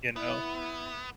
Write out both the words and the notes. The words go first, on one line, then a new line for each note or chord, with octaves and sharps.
You know?
B3 E4